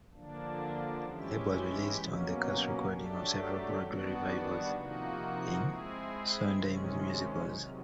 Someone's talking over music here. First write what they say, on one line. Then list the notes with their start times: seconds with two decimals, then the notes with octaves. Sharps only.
The label has released the cast recordings of several Broadway revivals of Sondheim's musicals.
0.13 D3 F3 A#3 D4
1.04 E3 G#3 C#4 E4 G4
1.96 B2 F#3 A#3 C#4
2.87 F#3 A3 D4 G4
3.79 D#3 G3 B3 D4 F#4
4.71 C3 F3 A#3 D#4 F#4
5.62 G#3 C4 E4 G#4
6.55 C3 D#3 G#3 C#4
7.46 C3 D#3 F#3